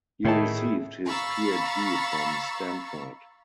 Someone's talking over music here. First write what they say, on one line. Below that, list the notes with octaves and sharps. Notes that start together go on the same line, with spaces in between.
He received his Ph.D. from Stanford.
A2 D#3 E4 G#4 C#5 A5
F5 A#5 B5 C#6 E6 A6